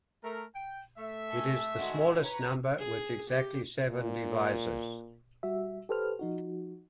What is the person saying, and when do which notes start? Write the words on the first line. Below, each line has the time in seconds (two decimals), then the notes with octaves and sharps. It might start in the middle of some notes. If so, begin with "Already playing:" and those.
It is the smallest number with exactly seven divisors.
0.24 A3 A#4
0.55 G5
0.98 A3 E5
1.30 A4 G#5
1.78 D#3 G#3 F#4
2.23 B4 C#5 A#5
2.78 G#4
3.29 G4
3.88 A#2
5.43 G3 F#4 E5
5.89 G4 A4 B4 C5 F6
6.19 F3 D#4 F#4